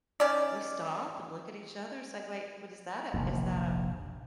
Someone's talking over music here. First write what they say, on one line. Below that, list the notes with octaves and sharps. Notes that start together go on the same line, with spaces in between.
we stop and look at each other and say, "Wait, what is that a is that a
D#3 C#4 D5
F1 A#1 D#2